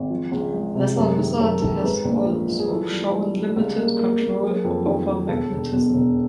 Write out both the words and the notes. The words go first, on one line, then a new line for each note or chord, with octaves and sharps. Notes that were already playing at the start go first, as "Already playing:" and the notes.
Weather Wizard has also shown limited control over magnetism.
Already playing: G#1
F3
C#2
G#3
C3
F#2 G4
D#3 G#4
F#2 A4
D#3 A4
G#2 B4
A#1
F3
F3
G#4
E3 A4
G3
G3
G3
C#2
A#3
A#3
A#3
F#3 G#4
F2
D#3
D#3
E1 A4
E1
B2
E1